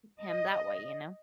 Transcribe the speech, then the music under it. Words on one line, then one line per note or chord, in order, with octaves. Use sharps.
him that way, you know?
D#5